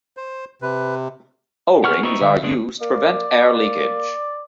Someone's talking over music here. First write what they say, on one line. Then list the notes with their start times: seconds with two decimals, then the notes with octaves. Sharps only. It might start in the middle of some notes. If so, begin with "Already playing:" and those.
O-rings are used to prevent air leakage.
0.17 C5
0.62 C3 B4
1.84 B3 G#4 F#5 C#6 F6
2.03 B3 C4 D#4 E4 C#6
2.21 D3 E5
2.43 D3 B3 D4 G#4
2.81 A#3 D5
3.55 A#3